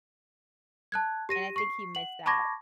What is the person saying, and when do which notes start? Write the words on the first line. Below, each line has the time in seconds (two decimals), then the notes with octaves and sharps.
And I think he missed out.
0.92 A5 F#6 G#6
1.29 G4 A#6 D#7
1.56 C#6 C7
1.95 F#5 F#7
2.26 A5 B5 C#6 D6 G#6 A#6